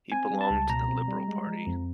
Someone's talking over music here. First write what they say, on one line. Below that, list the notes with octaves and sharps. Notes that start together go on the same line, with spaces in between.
He belonged to the Liberal Party.
C4 G#5
G3
A5
C#2
B2 A#5
C4
G3
G#3
F3
F2